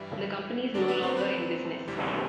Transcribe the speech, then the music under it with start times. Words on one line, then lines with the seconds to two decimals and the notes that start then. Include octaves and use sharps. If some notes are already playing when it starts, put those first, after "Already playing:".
The company is no longer in business.
Already playing: G2 E3 G3 E4 E5
0.74 F#2 D3 A3 D4 D5
0.88 B3 B4
1.03 C4 C5
1.17 B3 B4
1.88 D2 C3 E3 G3